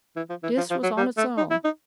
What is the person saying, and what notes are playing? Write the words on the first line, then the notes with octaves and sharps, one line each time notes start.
Dis was on its own.
E3
F3
E3
F3
F3
F#3
G3
A3
D#4
E4
D#4